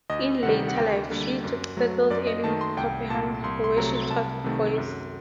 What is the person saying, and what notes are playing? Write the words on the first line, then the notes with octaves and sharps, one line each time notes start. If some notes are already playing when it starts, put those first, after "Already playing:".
In later life she settled in Copenhagen where she taught voice.
D2 D#5
C3 D#3 G3 F#5
F#5
D2 G5
D3 G3 A#3
F#2
F#3 A3
F#2 D5
D#5
D#3 A3 A5
C6
C2 G5
A#2 A3 A5
C2 C6
C6
C3 F#3 A3 A#5
C2 A5
C3 D#3 A3
F#2